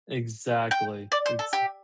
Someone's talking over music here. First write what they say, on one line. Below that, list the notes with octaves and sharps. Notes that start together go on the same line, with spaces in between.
Exactly. Exa
G5
D5
C5
A4
G4